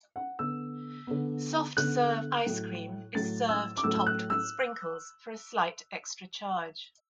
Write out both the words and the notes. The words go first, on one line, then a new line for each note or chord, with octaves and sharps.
Soft serve ice cream is served topped with sprinkles for a slight extra charge.
F#5
D3 B3 E6
D3 B3
D3 B3 F#6
A2 F#3 A3
A2 F#3 A3 A6
E6
D6
A2 F#3 A3 E6
E6
F#6
E6